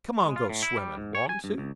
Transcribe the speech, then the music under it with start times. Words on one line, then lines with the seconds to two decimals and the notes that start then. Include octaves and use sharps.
"Come on go swimmin'--want to?"
0.24 G#3
0.36 F4
0.49 A2
0.63 E4
0.77 G3
0.97 G#2
1.15 C#5
1.29 G#5
1.44 G2
1.58 C#2